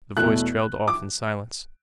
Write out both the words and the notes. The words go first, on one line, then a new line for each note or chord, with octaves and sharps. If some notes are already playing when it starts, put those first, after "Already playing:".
The voice trailed off in silence.
E2 B2 A3 E4 F#6
D6